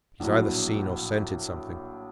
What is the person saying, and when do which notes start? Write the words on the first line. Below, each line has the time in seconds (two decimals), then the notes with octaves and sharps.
He's either seen or scented something.
0.20 A#1 A2 F#3